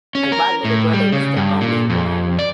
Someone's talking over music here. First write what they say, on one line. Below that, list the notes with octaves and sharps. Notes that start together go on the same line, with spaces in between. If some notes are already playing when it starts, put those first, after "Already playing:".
like, my little brother was the only one
C#4
A#4
A2
G3
C#3
G2
A#2
F2
D5